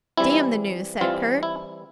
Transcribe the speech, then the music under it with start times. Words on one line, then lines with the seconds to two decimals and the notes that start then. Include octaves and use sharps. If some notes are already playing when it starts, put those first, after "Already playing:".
"Damn the news," said Kurt.
0.17 E3 G3 C4 E4
1.01 E3 G3 C4 F4
1.43 E4